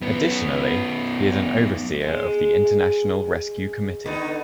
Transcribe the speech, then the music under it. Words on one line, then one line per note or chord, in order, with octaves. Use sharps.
Additionally, he is an overseer of the International Rescue Committee.
F#2 B3
G#3
D3 B3 D#4